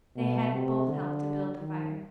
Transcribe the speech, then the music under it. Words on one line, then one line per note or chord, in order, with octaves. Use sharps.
They had both helped to build the fire.
B2
C3
D3
D#3